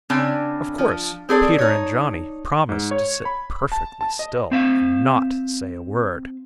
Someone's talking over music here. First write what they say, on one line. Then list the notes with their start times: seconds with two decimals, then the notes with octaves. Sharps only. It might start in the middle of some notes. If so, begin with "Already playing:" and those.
Of course Peter and Johnny promised to sit perfectly still and not say a word.
0.10 C#3 C4 D4 G#5
0.78 F3
1.29 C4 G#4 A4 D5
1.58 D#4 C#5
2.69 G#2
2.91 C#5
3.25 B5
3.72 A5
4.01 A5
4.19 D#5
4.52 C4 E5 F5